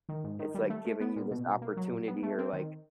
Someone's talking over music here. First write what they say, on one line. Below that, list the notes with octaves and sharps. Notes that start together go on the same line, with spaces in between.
It's like giving you this opportunity or, like,
D#3
G#2
D#3
G3
A3
A3
B3
A#2
B2
B2
A#3
F#3
A#2
B3
A3
C4
D#3